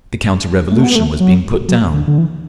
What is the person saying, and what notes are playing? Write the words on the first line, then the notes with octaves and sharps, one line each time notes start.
The counter-revolution was being put down.
A3
B3
A3
F#3
F#3
D3
D3
E3